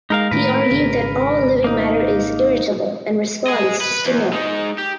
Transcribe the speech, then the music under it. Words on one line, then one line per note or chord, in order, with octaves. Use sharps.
He argued that all living matter is "irritable" and responds to stimuli.
G#3 D#4 A#4 F5
A2 D#3 A#3 A#4 B4
G#1 C#3
A#3 D#4
G#4 D#5
B4
E2
G#3 D#4
G4